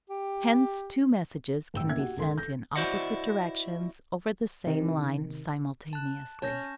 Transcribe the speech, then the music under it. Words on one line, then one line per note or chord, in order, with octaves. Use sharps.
Hence, two messages can be sent in opposite directions over the same line simultaneously.
G4
A1 C#3 G5 E6
B1 A#3 B3 E5 G#6
F#4 G4 F#5
C#2 D#3 A4 A#4 C6
A4 G6 A#6
E4 F#4 C5 D5 D#5 F#5
C3 D#3
A5 F#6
C#4 A5 G6 A#6